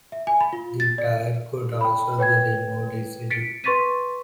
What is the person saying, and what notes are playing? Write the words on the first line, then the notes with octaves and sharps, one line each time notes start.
The tire could also be removed easily.
E5
G#5
B5
F4
A6
D5
G5 B5
B4 C#5 G5 G#6
A6 B6 C#7 D7
B4 C6 C#6 A6 B6 D#7